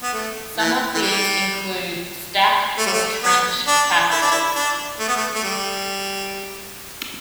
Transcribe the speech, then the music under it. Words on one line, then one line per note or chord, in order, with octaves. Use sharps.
Some of these include stacked or trench capacitors.
B3
A3
E3
E3
G3
A3
G3
A3
B3
D4
E4
D4
E4
D4
A3
B3
A3
A3
G3